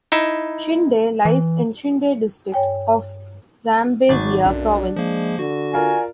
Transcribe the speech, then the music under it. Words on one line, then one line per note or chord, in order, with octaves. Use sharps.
Chinde lies in Chinde District of Zambezia Province.
D#4 E4 E5
E3
G2 C#5 G5 G#5
G#1 F#3 C#6 D6 A6
B1 F#2 D4
F3 G#3 A#3
D3 F#4
F4 A#4 D5 G#5